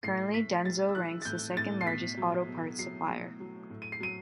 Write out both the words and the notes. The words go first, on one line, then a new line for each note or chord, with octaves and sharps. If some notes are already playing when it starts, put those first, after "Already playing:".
Currently, Denso ranks the second largest auto parts supplier.
A2 C7
A2 B6
G3 A6
E6
E3 F#6
A6
A2 G6
A2 A6
C7
B2 B6
F#3
B2
F#3 C7
B2
F#3
A2
D#7
C7
F#3 D#7